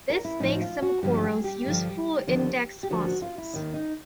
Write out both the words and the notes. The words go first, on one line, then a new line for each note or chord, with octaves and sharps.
This makes some corals useful index fossils.
A#4
E4
A2 F3 D#4
F#4
F4
F#4
G2 D3 F3 G4
G4
G#4
G4
G2 D3 F3
D#2 D3 F3
G4
D#2 D3 F3 F#4
F#4
F4
E4
D#2 D#3 D#4
D#4